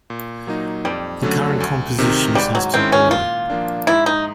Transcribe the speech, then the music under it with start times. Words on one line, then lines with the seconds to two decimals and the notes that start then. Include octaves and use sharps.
The current composition is listed below.
0.10 A#2
0.47 F#3 A#3 D#4
0.85 F2 G3
1.22 D3 F#3 A3 C#4
1.60 D2
1.98 C3 D#3
2.35 G#2 G3
2.55 F#3
2.74 D#3 G#3 C4 C#4 E4
2.92 C#4
3.11 A#2 F4
3.50 F3 A#3 D4
3.87 G#2 E4
4.06 D#4